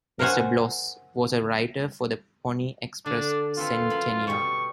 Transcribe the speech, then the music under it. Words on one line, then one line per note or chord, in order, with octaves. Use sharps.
Mr. Bloss was a writer for the Pony Express Centennial.
A#4 C5 C#5 F#5 G#5
D3 D4
C4 F4 A4 B4
F#2 B5
B2 G3 G4 C#6